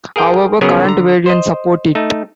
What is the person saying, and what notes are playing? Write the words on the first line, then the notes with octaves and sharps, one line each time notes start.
However, current variants support it.
G#4 A#4 F5 G5
C#3 F#3 B3 C#4 G#4 A#4
D3 A#5
C5 D#5
A3 D#4